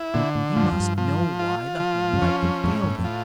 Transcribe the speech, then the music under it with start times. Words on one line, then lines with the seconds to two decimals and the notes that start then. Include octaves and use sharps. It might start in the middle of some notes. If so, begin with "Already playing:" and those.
He must know why the homelight had failed him.
Already playing: E4
0.14 A#2 D3
0.35 A2
0.56 A2 F3
0.63 G2
0.72 F2
0.80 G2
0.98 F3
1.39 F4
1.80 F3
2.13 G2
2.22 F2 C#4
2.43 F2
2.64 F2 A2
2.83 G2
2.98 F2
3.04 F4